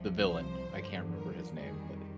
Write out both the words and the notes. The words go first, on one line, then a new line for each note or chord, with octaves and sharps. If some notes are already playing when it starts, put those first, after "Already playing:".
the villain, I can't remember his name, but
Already playing: C2 C3 F3
C5
G2 D3 F3
A#4
F2 D#3 G3 G#4